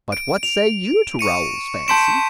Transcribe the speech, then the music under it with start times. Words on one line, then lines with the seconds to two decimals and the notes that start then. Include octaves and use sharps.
"But what say you to Raoul's fancy?"
0.12 D7
0.43 F7
1.19 C#6 C#7 D#7
1.88 A5 C6 G6 B6 D7 E7